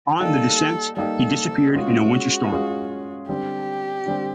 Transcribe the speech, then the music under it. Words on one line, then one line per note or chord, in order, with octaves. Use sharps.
On the descent he disappeared in a winter storm.
G3 A#3 D#4 G4 A4
G3 A#3 D#4 G4 A4
G#3 C#4 F4 F#4 G#4
G#3 C#4 F4 G#4
D3 G3 C4 G4
D3 G3 C4